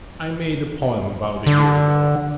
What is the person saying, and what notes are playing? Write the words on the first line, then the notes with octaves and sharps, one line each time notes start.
I made a poem about a year ago.
D3